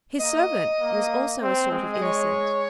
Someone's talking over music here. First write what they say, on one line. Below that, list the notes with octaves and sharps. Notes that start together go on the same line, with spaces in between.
His servant was also a sort of innocent.
A#3 D#5
A#3
C4
G#3
D#5
C#5